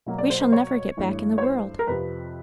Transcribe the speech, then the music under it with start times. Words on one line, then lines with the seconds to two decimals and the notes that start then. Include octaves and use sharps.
We shall never get back in the world!
0.06 B2 F#3 A#3
0.18 D5
0.30 C5
0.41 C5
0.53 C#5
0.97 G2 E3 A3
1.38 C#5
1.42 C5
1.79 A#4
1.87 F2 C3 F3 B4